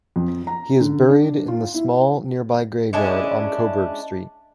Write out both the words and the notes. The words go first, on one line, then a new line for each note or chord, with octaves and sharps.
He is buried in the small nearby graveyard on Coburg Street.
F2
A#5
D3
D4
F4
E4
G#3 C#4 D4 E4